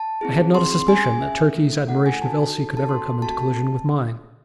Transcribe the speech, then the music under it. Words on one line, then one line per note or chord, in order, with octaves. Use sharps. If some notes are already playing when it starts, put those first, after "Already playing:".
I had not a suspicion that Turkey's admiration of Elsie could ever come into collision with mine.
Already playing: A5
C4 E4 G#4
C4 E4 G#4 C6
C6
C#4 G#4 G#5
G#5
C#4 G#4 E5
A3 C#4 E4 A4
A3 C#4 E4 A4 F#5
G#5
D#4 F#4 A4 A5
D#4 F#4 A4
A5
A3 C4 F#4 A4 C6
A3 C4 F#4 A4 A5